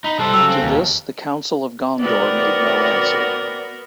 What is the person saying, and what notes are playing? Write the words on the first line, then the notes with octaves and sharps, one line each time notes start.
To this, the Council of Gondor made no answer.
D#4 B5
G3 A4 C5 D5 F#6
C#3 F#3 G3 E6
C4
D#2 B2 G4 C#5
B3 C4 F#4 A#4 D5